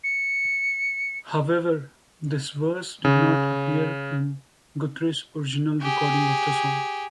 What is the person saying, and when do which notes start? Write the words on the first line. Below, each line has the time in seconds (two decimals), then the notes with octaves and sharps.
However, this verse did not appear in Guthrie's original recording of the song.
0.04 C#7
3.05 C#3
5.82 G4 G#4